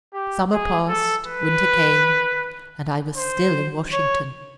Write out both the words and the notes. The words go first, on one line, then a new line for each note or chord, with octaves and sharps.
The summer passed, winter came, and I was still in Washington.
G4
G#4
A4
B4
C5
C#5